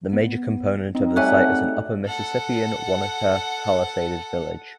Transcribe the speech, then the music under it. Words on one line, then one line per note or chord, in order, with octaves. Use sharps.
The major component of the site is an Upper Mississippian Oneota palisaded village.
B3
C4 D#4
G3 A3 F#4 C#5 E5 F#5 G#5
A4 F#5